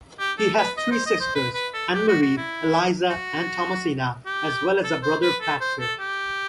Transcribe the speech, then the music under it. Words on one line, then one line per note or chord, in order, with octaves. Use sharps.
He has three sisters, Anne-Marie, Eliza and Thomasina, as well as a brother Patrick.
G4
A4
B4
D#5
C5
D#5
C5
B4
B4
A4
G4
F#4
F#4
E4
F#4
G4
A4
C5
B4
A4
C5
A4
G4